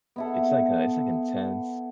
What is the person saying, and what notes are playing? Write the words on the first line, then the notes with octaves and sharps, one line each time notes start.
it's, like, a it's like intense,
B3 E4 A4